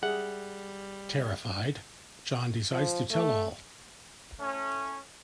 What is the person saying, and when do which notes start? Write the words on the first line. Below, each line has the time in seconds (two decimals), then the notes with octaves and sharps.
Terrified, John decides to tell all.
0.03 G3 G#4 E5 F#5
2.72 F3
3.11 A3
4.40 A2 A3 C#4